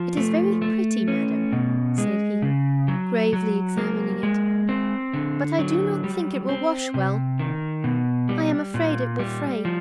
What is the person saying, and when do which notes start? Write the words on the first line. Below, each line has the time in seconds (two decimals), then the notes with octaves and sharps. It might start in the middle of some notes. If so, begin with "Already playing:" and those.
"It is very pretty, madam," said he, gravely examining it; "but I do not think it will wash well; I am afraid it will fray."
Already playing: F3
0.17 A3
0.62 A3
1.08 C#4
1.52 B2
1.98 G#3
2.42 C#3
2.88 F#3
3.33 F#3
3.78 A#3
4.23 G#3
4.69 C4
5.13 D3
5.58 F#3
6.04 G3
6.49 C4
6.94 C3
7.39 D#3
7.84 B2
8.29 G3
8.74 A#2
9.19 G3
9.65 F3